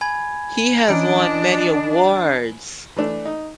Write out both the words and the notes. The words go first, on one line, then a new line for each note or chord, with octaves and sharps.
He has won many awards.
G#5 B5 G#6
E3 C#4 D4 D#5 D7
E3 A3 D4
D#4